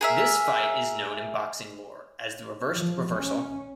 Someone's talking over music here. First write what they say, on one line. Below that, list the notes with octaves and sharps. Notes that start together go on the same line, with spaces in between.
This fight is known in boxing lore as The reversed reversal.
G#4 A#4 E5
F3
C#4